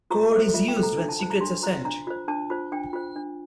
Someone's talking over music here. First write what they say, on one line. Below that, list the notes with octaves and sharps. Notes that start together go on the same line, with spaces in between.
Code is used when secrets are sent.
F4 A#5
A4 C5 E5
F4 E5
G5
A4 C5
A#5
D4 A#5
A5
F4 C5 A5
A#5
D4 C6
F4 C5 A#5
D4 A#5
F4 C5
D4 A5
F4 C5
D4 G5
F4 C5
D4